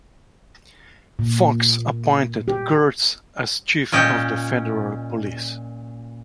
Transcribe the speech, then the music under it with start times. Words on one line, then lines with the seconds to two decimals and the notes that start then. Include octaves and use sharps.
Fox appointed Gertz as chief of the Federal Police.
1.19 A#2
2.48 G4
3.92 A#2 C#4 D#5 G5